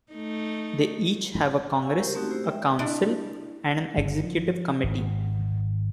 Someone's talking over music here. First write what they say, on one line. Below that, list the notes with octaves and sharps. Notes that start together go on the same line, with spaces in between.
They each have a congress, a council, and an executive committee.
A3 D#4
F5 F#5 G#5 A#5 C#6 E6
G4 A#4 C5
A3 C4 C#4 D#4 F#4 G4
A3 E4 G4 C5
G#3 E5 G5
D4 E4
G1
F3
G#1